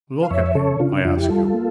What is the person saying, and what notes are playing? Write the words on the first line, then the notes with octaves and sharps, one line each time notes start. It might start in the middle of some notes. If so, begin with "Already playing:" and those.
Look at him, I ask you!
F5
F2 C#5 E5
C#3 A4 C#5
C#3 D4 F4
D4
F2 D4 F4
E4 G4
G3 F4 A4
A#3